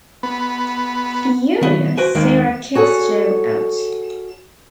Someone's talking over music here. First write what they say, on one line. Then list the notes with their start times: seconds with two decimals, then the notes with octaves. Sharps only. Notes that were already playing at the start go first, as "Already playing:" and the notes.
Furious, Sara kicks Joe out.
0.23 B3
1.61 D#3 B3
1.98 F#4 B4 C5 G5 G#5
2.15 D#2 D#3 G#3 A#3 G5
2.75 F#4 G#4 A4 C#5